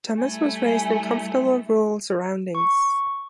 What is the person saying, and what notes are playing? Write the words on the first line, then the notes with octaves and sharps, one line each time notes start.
Thomas was raised in comfortable rural surroundings.
G3 A3 E4 G#5
C#6